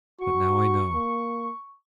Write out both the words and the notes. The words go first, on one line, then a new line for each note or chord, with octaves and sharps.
But now I know.
F#4 C#6
A#3